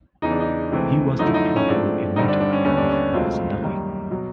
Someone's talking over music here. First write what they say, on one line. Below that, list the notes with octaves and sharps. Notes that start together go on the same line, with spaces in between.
He was the probable inventor of bassanelli.
E2 C#3 E3 D#4
D4
D#4
C#2 C3 E3 A3 C4
F#2 D3 F3 A3 D#4
E4
D#4
C#4
G#2 F3 A3 C4 D4
G2 D3 G3 C4 D#4
D4
D4
C#4
D#2 D3 G3 B3 C#4
D4
C#4
C#2 B2 F#3 A3 C4 F4
F#2 D#3 G3 A#3
B2 F#3